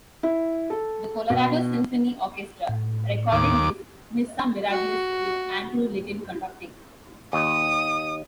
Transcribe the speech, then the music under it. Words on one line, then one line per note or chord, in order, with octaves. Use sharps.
The Colorado Symphony Orchestra recorded his "Missa Mirablis" with Andrew Litton conducting.
E4
A4
B2
A2
D#2 D6
F#4
D#2 D#6